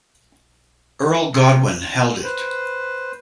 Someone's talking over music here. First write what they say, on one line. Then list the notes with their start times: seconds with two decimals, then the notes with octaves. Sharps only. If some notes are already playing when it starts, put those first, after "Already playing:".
Earl Godwin Held it.
1.34 C3
2.23 B4 C5